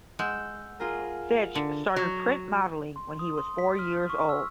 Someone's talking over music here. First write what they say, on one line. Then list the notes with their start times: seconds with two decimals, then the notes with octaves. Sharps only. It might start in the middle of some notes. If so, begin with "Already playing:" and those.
Fitch started print modeling when he was four years old.
0.19 G#3 F#5 E6 G6
0.80 F4 G#4 A#4
1.55 D3
1.96 F#3
2.96 C6
3.19 D#6
3.38 C6
3.58 B6
3.79 F6
4.10 C#6
4.29 E6